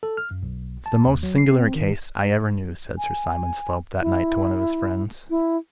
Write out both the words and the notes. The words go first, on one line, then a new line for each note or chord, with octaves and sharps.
"It's the most singular case I ever knew," said Sir Simon Slope that night to one of his friends.
A4
F6
F#2
B1
A5
D#2
F#3
C7
C4
D#3
G#5
E4
E4